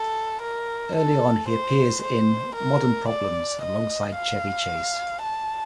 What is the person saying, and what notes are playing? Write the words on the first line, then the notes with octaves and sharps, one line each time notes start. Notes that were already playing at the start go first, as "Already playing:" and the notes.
Early on, he appeared in "Modern Problems" alongside Chevy Chase.
Already playing: A4
A#4
A4
C5
C5
A#4
D5
D#5
F5
A5